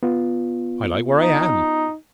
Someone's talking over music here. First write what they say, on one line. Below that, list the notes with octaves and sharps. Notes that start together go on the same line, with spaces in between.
I like where I am.
B3 F4
D#4